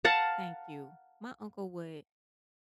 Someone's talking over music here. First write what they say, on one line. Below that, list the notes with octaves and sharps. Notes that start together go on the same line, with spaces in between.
Thank you. My uncle would
F5 F#5 A5 A#5